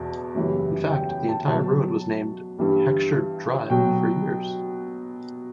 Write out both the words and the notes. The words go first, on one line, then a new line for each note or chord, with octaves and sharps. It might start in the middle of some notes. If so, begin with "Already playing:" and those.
In fact, the entire road was named Heckscher Drive for years.
Already playing: E2 B2 A5
F#2 C#3 E3 G3
G5
G5
A5
B2 F#3 A5
G2 E3 G3
B2 F#3 G5